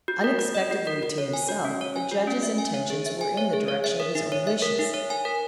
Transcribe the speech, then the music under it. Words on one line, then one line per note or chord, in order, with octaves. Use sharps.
Unexpectedly to himself, the judge's intentions were in the direction of his own wishes.
F#4
A#4
F#4
D#5
F#4
A#4
F#4
C#5
G#5
F#4
C#4
C#5
G#5
F#4
C#4
E5
G#5
C#5
G#4
E5
G#5
C#5
G#4
C#5
E5
A#4
D#4
C#5
E5
A#4
D#4
C#5
G#5
A#4